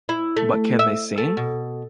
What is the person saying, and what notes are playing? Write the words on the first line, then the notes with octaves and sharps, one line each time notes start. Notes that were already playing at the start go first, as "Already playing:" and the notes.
But Can They Sing?
E4
A3
E5
A3
B2